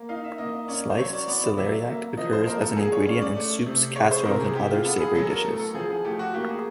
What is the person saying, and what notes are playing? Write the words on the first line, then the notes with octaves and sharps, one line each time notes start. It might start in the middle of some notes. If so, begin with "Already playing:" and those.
Sliced celeriac occurs as an ingredient in soups, casseroles, and other savory dishes.
Already playing: A#3
D#4 F5
E5
A#3 D#5
C#4 D5
C5
F#3 C#5
D5
B3 D5
D5
F#3 E5
A#3
F3 D#5
C5
A#3 A#4
A4
G#3 G#4
C#5
C#4 D5
D5
A3
C3
G#3 C#5
C5
C3 A#4
G#4
G#3 G4
F4
B3 A4
G#4
F#3 A4
A#4
A3 A4
A4
F3 G#4
G#4
A3 G4
F#4
A#3 G4
G#4